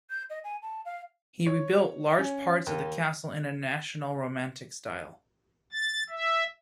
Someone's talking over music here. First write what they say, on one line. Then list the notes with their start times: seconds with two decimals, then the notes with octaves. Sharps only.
He rebuilt large parts of the castle in a national romantic style.
0.10 G6
0.30 D#5
0.44 G#5
0.62 A5
0.85 F5
1.46 C#5
2.19 C#4
2.67 D#2
5.72 A6
6.10 E5